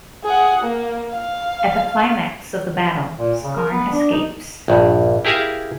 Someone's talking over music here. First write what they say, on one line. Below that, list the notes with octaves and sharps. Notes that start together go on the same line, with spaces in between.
At the climax of the battle, Scarn escapes.
G#4 F#5
A#3
F5
A#2
C#3
A#4
B3
D4
D#4
A#1 G2
E4 G4 G#4 A#4 E5 F5